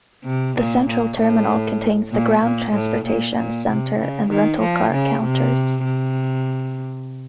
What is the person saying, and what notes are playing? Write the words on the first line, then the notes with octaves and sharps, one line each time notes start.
The Central Terminal contains the ground transportation center and rental car counters.
C3
A#2
A#2
A2
A#2
A#2
A2
A#2
A#2
C3
C#3
D#3
F3
C#3
C3
C3